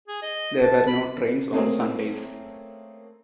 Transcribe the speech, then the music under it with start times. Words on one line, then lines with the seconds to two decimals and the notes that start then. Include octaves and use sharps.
There were no trains on Sundays.
0.08 G#4
0.23 D#5
0.61 A5
0.87 B5
1.52 A3 A#3 C4 C#4 G#4 A#4